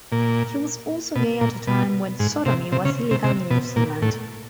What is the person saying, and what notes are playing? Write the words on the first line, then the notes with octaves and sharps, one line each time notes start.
He was also gay at a time when sodomy was illegal in New Zealand.
A#2
B2
A#2
B2
G#2
C3
C3
C#3
C3
C3
B2
A#2
A2